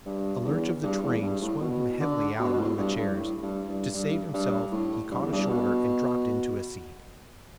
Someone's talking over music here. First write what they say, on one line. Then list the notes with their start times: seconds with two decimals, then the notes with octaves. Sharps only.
A lurch of the train swung him heavily out among the chairs; to save himself he caught a shoulder and dropped into a seat.
0.05 G2
0.45 E2
0.83 G2
1.03 E2
1.22 G2
1.42 A2
1.61 B2
2.00 D3
2.39 B2
2.53 B2
2.58 A2
2.78 G2
2.97 G2
3.16 A2
3.42 G2
3.68 G2
3.94 G2
4.33 G2
4.72 A2
5.11 G2
5.22 E2
5.32 G2
5.49 B2